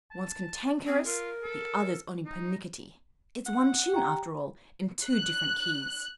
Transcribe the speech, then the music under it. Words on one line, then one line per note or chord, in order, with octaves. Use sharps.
One's cantankerous; the other's only pernicketty. It's one tune, after all, in two different keys.'
A5
C4 G#4
F4 A#4
A4
D#4
F#5
G4 G5 A#5
F#6